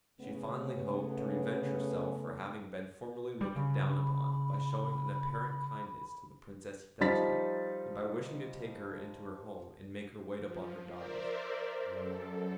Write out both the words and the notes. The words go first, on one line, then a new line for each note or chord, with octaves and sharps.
She fondly hoped to revenge herself for having been formerly looked down upon, by showing an apparent kindness to the Princess Hitachi, and by wishing to take her into her home, and make her wait upon her daughters.
C#3 A3 B3
G3
C#3 B5
F3 G3 D#4 A6 B6
F3
A#4 C5 D5 E5
F#2 A4